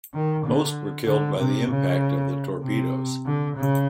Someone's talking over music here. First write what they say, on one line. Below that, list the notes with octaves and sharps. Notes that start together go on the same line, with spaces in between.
Most were killed by the impact of the torpedoes.
D#3
D3
D3
C3
C#3
C3
D3
C#3